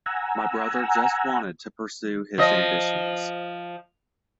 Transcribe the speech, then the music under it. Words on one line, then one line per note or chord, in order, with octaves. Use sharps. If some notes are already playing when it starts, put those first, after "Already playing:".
My brother just wanted to pursue his ambitions.
F#5 G#5 A#5 E6
F3 D#5